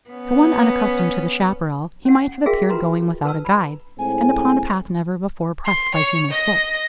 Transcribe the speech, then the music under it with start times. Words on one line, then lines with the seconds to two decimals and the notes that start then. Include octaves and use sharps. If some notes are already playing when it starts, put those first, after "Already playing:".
To one unaccustomed to the chapparal, he might have appeared going without a guide, and upon a path never before pressed by human foot.
0.10 B3 C#4
2.05 C#4 F#5
2.46 F#4 G#4 A#4 E5 F5 G5
2.70 F4 F#4 B4 A#5 C6
3.25 B4 A5 E6
3.45 A#5 B5
3.99 A2 G#3 C4 G#5
5.66 C6
5.95 C#5
6.31 D#5 A#6